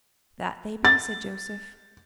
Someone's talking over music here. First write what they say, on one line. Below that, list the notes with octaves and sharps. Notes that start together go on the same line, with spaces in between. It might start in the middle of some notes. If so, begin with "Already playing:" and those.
"That they be," said Joseph.
A6